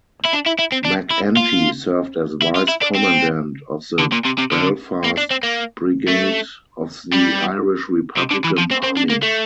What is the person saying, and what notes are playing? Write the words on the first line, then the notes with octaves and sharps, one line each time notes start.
MacEntee served as Vice-Commandant of the Belfast Brigade of the Irish Republican Army.
E4
D4
E4
E4
C4
D4
E4
F4
E4
F4
E4
D4
C4
D3
A#2
C3
C3
D3
A#3
D4
C4
A#3
A3
G3
C3
D3
E3
F3
C4
C4
D4
A#3
A3